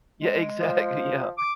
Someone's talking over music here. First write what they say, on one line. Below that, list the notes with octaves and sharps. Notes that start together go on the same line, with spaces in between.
Yeah, exactly, yeah,
G#3
F3
D6